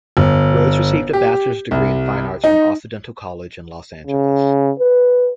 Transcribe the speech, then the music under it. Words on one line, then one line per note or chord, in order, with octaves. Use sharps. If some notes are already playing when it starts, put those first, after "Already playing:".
Rohde received a bachelor's degree in Fine Arts from Occidental College in Los Angeles.
G1
G4
C2
D#4
C#3
B4